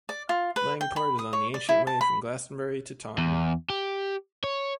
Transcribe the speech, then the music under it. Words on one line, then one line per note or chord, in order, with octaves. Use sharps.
Langport is on the ancient way from Glastonbury to Taunton.
D5
F4
B4
G5
B5
D#6
C#5
D5
E4
A5
B5
E2
G4
C#5